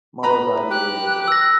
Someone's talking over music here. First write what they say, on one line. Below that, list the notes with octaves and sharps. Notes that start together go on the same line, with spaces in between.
Mueller died a year later.
B4 A#5 B5
G4 F#6
E6 A#6